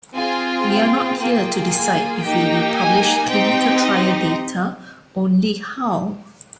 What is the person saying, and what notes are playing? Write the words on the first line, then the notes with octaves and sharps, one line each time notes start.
We are not here to decide if we will publish clinical-trial data, only how.
C4 F4 G#4 G#5
G5
A#3 F4 G#4
G#5
A#3 D#4 G4 G5
G#5
C4 D#4 G4 G5
D#5